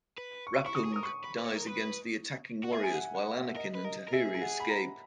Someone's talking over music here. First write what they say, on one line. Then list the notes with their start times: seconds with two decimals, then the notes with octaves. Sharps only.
Rapuung dies against the attacking warriors while Anakin and Tahiri escape.
0.18 B4
0.47 C#6
0.66 E4 C#6
0.75 F#4 D#6
0.85 G#4
0.94 A#4 D#6
1.03 B4 C#6
1.24 B4
1.38 B4
1.46 C#5
1.56 A#4
1.66 B4
2.64 F#4
2.72 G#4 E5
2.84 G#5
2.94 F#5
3.15 F#5
3.35 E5
3.56 A#4 D#5
3.75 B4
3.84 A#4 D#5
4.08 A#4
4.13 G#4 E5
4.35 G#5
4.41 F#5
4.60 B5
4.69 A#5